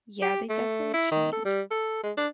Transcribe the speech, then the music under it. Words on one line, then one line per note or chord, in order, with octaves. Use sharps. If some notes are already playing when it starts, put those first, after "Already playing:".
Yeah, they definitely change.
G4
A3
E4
D#3
A4
G3
A4
G#3
D4